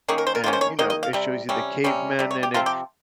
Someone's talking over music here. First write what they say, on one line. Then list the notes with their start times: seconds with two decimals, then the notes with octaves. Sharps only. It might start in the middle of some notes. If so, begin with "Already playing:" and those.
and, you know, it shows you the cavemen and it
0.08 D#3 A#3 C#4 G#4
0.18 A#4
0.27 C5
0.35 A#4
0.44 D#3 F4
0.46 A#3 C#4
0.53 C5
0.61 C#5
0.79 D#3 A#3 D#5
0.90 D#5
1.03 F5
1.13 C3 G3
1.49 C3 G3 C#4
1.84 C3 G3 C#4
2.19 C3 G3
2.31 C#5
2.43 G4
2.54 C3 F3 C4 F4
2.66 G4